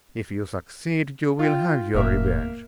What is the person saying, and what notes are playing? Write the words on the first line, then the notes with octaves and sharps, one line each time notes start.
If you succeed, you will have your revenge.
F4 G5
F1 A2 A#3 A#4 E5